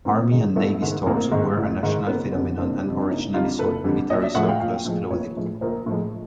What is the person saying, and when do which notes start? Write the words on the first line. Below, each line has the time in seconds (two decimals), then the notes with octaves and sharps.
"Army and Navy Stores" were a national phenomenon and originally sold military-surplus clothing.
0.05 A1 A#3 C4
0.31 G#2 D#3 G#3
0.55 A1 A3 B3
0.81 G#2 D#3 G#3
1.06 A1 A#3 C4
1.32 G#2 D#3 G#3
1.57 A1
1.83 G#2 D#3 G#3
2.07 F#1 B3 C#4
2.32 F2 D3 G3 B3 C#4
2.58 F#1 C4 D4
2.84 F2 D3 G3
3.00 D4
3.09 F#1 C#4 D#4
3.34 F2 D3 G3 D#4 F4
3.59 F#1 A4 B4
3.84 F2 D3 G3
4.10 A#1 C#5 D#5
4.22 D5 E5
4.35 A2 F3 G#3 E5 F#5
4.48 F5 G5
4.60 A#1 F5 G5
4.85 A2 F3 G#3
5.11 A#1 B4 C#5
5.36 A2 F3 G#3
5.61 A#1 A#4 C5
5.86 A2 F3 G#3